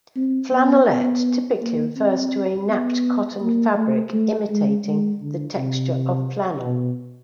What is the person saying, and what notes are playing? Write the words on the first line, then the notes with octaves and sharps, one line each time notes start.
Flannelette typically refers to a napped cotton fabric imitating the texture of flannel.
C4
B3
B3
A#3
C4
B3
A#3
A3
A3
G#3
G#3
D3
C3
B2